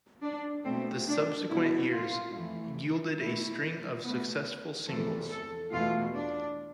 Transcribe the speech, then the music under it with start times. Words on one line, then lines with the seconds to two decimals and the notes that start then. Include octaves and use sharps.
The subsequent years yielded a string of successful singles.
0.23 D4
0.65 B2 A3 C4
1.07 D4
1.49 B2 G3 E4
1.92 F4
2.34 F2 E3 A3
3.18 B2 A3 E4
4.02 B2 A3 B3
4.87 E2 C3 F3 A3 A4
5.29 A4
5.71 E2 B2 A3 F4
6.14 D4